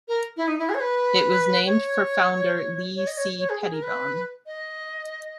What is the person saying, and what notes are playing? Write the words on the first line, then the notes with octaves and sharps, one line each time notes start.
It was named for founder Lee C. Pettibone.
A#4
E4
D#4
E4
G#4
C#5
B4
C#5
C#5
D#5
C#5
C#5
G#4
G#4
A#4
B4
D#5